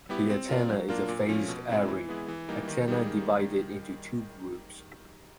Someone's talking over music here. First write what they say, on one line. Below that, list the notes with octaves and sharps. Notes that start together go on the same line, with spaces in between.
The antenna is a Phased Array antenna divided into two groups.
G3 B3 E4 G4
C4
F4 A#4 D5
F#3
A#3 D4 F4 A#4
A#2
F3 A3 C#4
B2
G#3 C4 E4
E3
G#3 B3 E4 G#4
E3
G3 A#3 D#4
D#3
G3 A#3 D#4 G#4